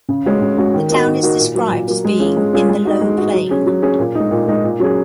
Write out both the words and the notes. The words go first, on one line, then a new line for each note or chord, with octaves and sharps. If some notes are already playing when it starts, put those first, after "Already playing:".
The town is described as being "in the low plain".
C#3
G#3 C#4 F#4
C#3
G#3 C#4 F#4
D#3
A#3 D#4 F#4
D#3
A#3 D#4 F#4
A#2
F#3 A#3
A#2
F#3 A#3
G#3
C#4 F4 G#4
G#3
C#4 F4 G#4
G#3
D#4 F#4
G#3
D#4 F#4
F#3
C#4 G#4
F#3
C#4 G#4
A#2
G#3 D#4
A#2
G#3 D#4
A#2
F#3 C#4 G#4